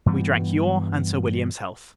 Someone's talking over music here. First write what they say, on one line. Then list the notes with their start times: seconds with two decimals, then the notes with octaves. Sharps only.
We drank your and Sir William's health.
0.06 G2 E3 G3 B3